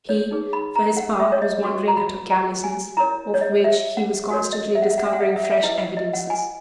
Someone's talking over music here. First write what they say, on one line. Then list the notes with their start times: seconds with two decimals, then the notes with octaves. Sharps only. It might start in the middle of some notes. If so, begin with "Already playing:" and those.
He, for his part, was wondering at her callousness, of which he was constantly discovering fresh evidences.
0.09 C#5
0.31 D#4 G#4 B4
0.53 B5
0.76 A#5
0.97 F#5
1.20 E5
1.32 C#5
1.42 D#5
1.64 F#4 B4 C#6
1.88 A#5
1.97 B5
2.31 A#5
2.64 G#5
2.97 E4 A#4 C#5 A#5
3.34 C#5
3.41 D#5
3.64 E5
3.97 F#5
4.30 F#4 A#4 C#5
4.53 D#5
4.75 E5
4.82 F#5
4.90 E5
4.98 F#5
5.06 E5
5.13 F#5
5.21 E5
5.29 F#5
5.36 E5
5.44 F#5
5.51 E5
5.63 E4 B4 D#5
5.97 D#5
6.13 F#5
6.30 G#5